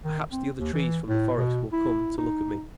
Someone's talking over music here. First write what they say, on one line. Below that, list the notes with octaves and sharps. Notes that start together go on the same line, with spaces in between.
Perhaps the other trees from the forest will come to look at me!
D#3
C4
D#2
E3
A2
B2
E4
D#4